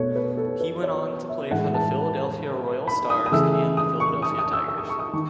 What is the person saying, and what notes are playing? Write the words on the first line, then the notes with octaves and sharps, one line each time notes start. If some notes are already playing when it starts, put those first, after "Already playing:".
He went on to play for the Philadelphia Royal Stars and the Philadelphia Tigers.
Already playing: B2 A3 C#5
B4
A4
B4
C#5
E5
A2 E3 G#3 F#5
A5
B5
D#6
D#6
C#3 E3 A3 E6
D#6
C#6
D#6
D#6
E6
E6
D#6
C#6
D#6
D#3 C#6